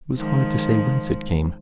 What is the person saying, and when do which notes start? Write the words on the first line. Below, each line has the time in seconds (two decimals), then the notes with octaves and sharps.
"It was hard to say whence it came."
0.17 D#3 F3 G#3